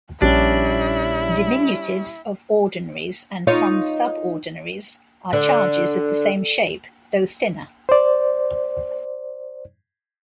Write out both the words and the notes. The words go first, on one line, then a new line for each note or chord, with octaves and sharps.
Diminutives of ordinaries and some subordinaries are charges of the same shape, though thinner.
A#1 G3 C#4 D4 E4
D#4 F4 C#5
D3
C5 D5